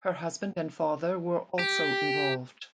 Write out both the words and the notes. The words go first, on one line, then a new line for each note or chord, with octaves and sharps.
Her husband and father were also involved.
G4